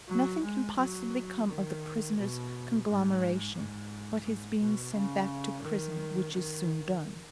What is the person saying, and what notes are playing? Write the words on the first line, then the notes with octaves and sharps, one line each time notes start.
Nothing can possibly come of the prisoner's conglomeration but his being sent back to prison, which is soon done.
F#3
G#3
F#3
D#3
B2
G#2
G#2
G#2
B2
C#3
D#3
D#3